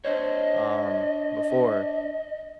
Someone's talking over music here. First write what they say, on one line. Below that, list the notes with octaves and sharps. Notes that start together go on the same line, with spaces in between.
um, before,
D4 C5 C#5 D#5